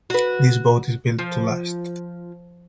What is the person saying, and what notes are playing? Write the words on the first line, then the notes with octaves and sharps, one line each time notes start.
This boat is built to last.
F#4 B4
F3